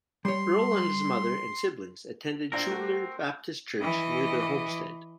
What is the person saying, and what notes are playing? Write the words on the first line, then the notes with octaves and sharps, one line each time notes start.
Earl and his mother and siblings attended Schuyler Baptist Church near their homestead.
G3 C#5 C6
A#2 C4 D4 F4 A#4
A3 F#4
E3 D#5